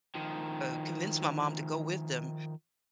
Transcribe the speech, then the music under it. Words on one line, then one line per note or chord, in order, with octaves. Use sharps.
uh, convince my mom to go with them,
D#3 F3